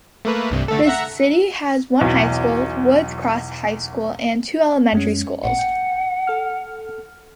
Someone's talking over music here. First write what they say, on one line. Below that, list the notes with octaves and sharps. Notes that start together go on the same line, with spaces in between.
The city has one high school, Woods Cross High School, and two elementary schools.
A3 A#3 B4
C2 G2 C3
D3 A3 A4
E5 F#5 A#5
B1 E2
F#2 G#3 C#4
A1 A#2 F#5
G5 C#7
A4 F6